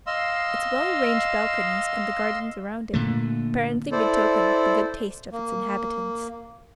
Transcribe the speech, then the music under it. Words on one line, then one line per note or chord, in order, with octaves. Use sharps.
Its well arranged balconies and the gardens around it apparently betokened the good taste of its inhabitants.
D#5 F5 C6 E6
A#2 D3 A3
E4 A4 C5 D5
A#3